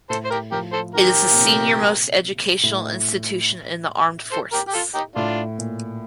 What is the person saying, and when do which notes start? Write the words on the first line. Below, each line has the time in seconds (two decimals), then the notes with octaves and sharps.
It is the seniormost educational institution in the armed forces.
0.10 A2 A4 C5
0.25 C5
0.30 G4 A#4
0.52 F3 G4 A#4
0.72 A4 C5
0.94 D#3 G4 A#4
1.31 A#2
1.36 C3
2.63 A2
4.32 A4 C5
4.52 G4 A#4
4.68 G4
4.73 F4 A4
4.94 D#4 G4
5.16 A2 D4 F4
5.58 A#2